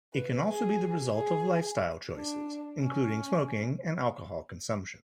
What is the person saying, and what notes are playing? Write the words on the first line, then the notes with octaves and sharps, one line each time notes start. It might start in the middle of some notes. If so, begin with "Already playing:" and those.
It can also be the result of lifestyle choices including smoking and alcohol consumption.
B4
G#4
G#4
D4
C#4